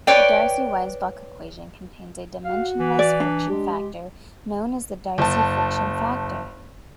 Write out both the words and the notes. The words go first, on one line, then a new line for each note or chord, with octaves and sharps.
The Darcy-Weisbach equation contains a dimensionless friction factor, known as the Darcy friction factor.
B4 C#5 D5 G5
F#4 F5
E3
D5
D4
G#3 G4
F#1 A5